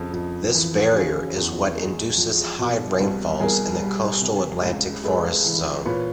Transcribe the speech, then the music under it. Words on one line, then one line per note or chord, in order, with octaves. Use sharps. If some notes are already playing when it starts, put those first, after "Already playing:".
This barrier is what induces high rainfalls in the coastal Atlantic forest zone.
Already playing: F2 C#3
F2
E3
C#3 F#4 G#4
E2
G#3
F3
B2
C2
C2 G#4 A#4
G3
C3
C#2
G#3 A4 B4
E3
A#2 B4 C#5